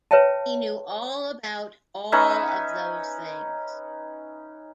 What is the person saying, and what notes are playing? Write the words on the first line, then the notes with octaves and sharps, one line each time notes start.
He knew all about all of those things.
B4 C#5 E5 G5 A5
C#4 D#4 B4 E5